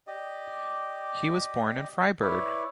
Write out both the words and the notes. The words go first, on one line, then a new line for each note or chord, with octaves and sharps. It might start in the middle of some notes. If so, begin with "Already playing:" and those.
He was born in Freiburg.
G4 D5 D#5
E4 B4 C#5 D5